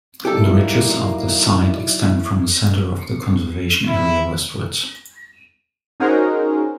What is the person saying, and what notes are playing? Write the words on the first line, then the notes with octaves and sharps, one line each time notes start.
The ridges of the site extend from the center of the conservation area westwards.
F#3 A#3 D#4 E4 G4 A4 D5
E4
C#4 D#4 F#4 G#4 A#4 C5